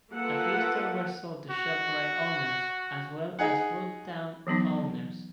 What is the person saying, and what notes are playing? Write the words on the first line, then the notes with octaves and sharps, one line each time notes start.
A few stores were sold to Shop Rite owners as well as Foodtown owners.
A#3 F4 A4 B4 F#5
F#4
D#4 G#4 F#5
E3 F#3 B3 D#4